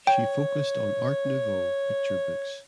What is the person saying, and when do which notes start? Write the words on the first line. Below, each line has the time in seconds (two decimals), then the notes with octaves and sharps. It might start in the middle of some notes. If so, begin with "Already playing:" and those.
She focused on Art Nouveau picture books.
0.07 C#5 G5